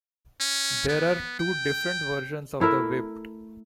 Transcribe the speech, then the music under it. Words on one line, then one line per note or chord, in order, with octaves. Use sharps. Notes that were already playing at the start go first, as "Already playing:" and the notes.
There are two different versions of the Whipped!
C#4
B3
G5
A3 E4 A#4 E5